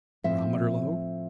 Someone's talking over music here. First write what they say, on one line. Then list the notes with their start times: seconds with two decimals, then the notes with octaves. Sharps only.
Barometer low?
0.24 A2 F3 C4 E5